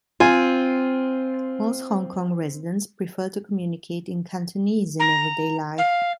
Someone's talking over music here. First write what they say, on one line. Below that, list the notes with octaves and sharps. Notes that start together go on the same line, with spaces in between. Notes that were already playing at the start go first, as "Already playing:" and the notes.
Most Hong Kong residents prefer to communicate in Cantonese in everyday life.
C4 F4 G#5
A#5
F5